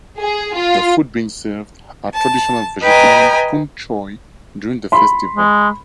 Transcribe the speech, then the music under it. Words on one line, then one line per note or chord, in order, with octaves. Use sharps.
The food being served are traditional vegetarian poon choi during the festival.
G#4
F4
A5
B4 D#5 G5 G#5 A#5
B5 C6
G#3